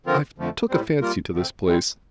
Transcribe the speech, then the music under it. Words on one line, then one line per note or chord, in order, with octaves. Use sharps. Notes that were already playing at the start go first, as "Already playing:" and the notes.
I've took a fancy to this place.
D3 F3 C4 F4 A#4
F2 D3 F3 A3
A2 G3 C4
G3 A#3 F4 A#4
D3 A3 C4
E3 G3 C4